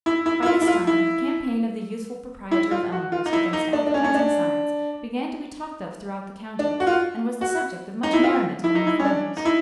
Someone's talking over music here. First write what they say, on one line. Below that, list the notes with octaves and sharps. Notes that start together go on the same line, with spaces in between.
By this time the campaign of the youthful proprietor of Elmhurst against advertising signs began to be talked of throughout the county, and was the subject of much merriment among the farmers.
E4
E4
E4
F4
E4
F4
E4
E4
F4
F#4
F4
D#4
E4
D#4
D4
D4
C#4
C#4
D4
D4
F#4
F4
F#4
D#4
E4
F4
E4
D#4
E4
C#4
D4
D#4
E4